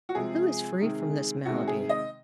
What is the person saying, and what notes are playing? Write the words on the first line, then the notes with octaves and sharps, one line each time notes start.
Who is free from this malady?
F#4
C3 F3 G#3 G#4
C3 D#3 G#3
C3 D#3 G#3 F#4
G#4
D#5